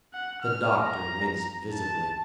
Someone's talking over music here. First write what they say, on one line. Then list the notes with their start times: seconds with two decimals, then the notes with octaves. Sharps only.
The doctor winced visibly.
0.13 F#5
0.43 F6
0.82 A#5
1.73 A5